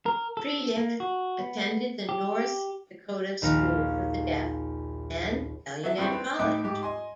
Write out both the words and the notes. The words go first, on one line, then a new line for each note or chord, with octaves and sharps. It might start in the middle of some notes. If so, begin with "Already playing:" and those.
Frelich attended the North Dakota School for the Deaf and Gallaudet College.
A#4
A4
A#3
F#4
B3
G4
A#1 D#2 F5 A#6 C#7
F#3 A4 E5
E2 G2 C4 E4 G5 C#6
B3 C4
A2 D#4 E5 G5 D6 F#6
G#2 G4
D#5 G#5 C6